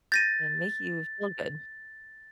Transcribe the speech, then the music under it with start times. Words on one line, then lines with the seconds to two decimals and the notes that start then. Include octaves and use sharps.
and make you feel good.
0.12 G6 A6 A#6 D#7